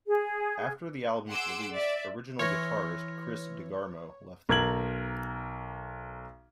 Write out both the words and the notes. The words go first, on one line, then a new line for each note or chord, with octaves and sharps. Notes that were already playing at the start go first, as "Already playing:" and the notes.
After the album's release, original guitarist Chris DeGarmo left the band.
G#4
G#4 F#5 C6 D6 E6
D5 E5
E3 C#5 C6 F6 A#6
B1 A#4 G#6 F#7